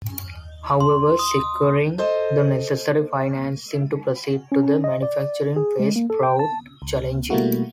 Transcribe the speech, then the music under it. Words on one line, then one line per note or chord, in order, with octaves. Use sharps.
However securing the necessary financing to proceed to the manufacturing phase proved challenging.
C6
D#6
A4 C5 D#5
C#4
D#5
D5
G#4
G#3
A#3
A4
G5
A5
C#2
B2 G3 A3 A#3 E4 F#4